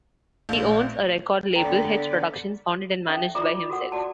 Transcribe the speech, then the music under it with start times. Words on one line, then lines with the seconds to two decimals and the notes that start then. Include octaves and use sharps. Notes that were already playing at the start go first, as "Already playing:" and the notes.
He owns a record label, H. Productions, founded and managed by himself.
0.49 A#1 A3 F5 G6
1.55 D3 B3 A4 D5 G5 A#5
3.08 C#4 D#4 A4 E5
3.35 F4 A4 D5 E5 A#5 D6
3.70 F#4 A4 A#4 F#5
3.92 F#4 D5 A5